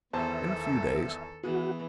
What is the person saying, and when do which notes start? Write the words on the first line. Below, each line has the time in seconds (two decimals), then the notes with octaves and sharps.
In a few days.
0.13 E2 D#3 B3 A4 C5 E5 A5
1.43 E3 B3 F#4 G#4